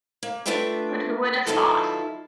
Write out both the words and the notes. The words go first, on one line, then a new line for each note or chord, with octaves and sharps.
But who would have thought?
A#3
A3 D4 F4 B4 E5 G5
D#3 E3 F#3 E4 F4 A4